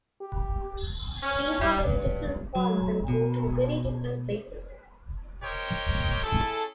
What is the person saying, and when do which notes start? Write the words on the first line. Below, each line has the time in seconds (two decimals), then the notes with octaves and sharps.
These are very different forms and go to very different places.
0.21 G4
1.23 C#4
1.61 G3
1.85 G2
2.55 F#3
3.08 B2
5.42 G4 A#4 C5 C#5 D#5 G5
6.24 C#4 E4 G#4 A4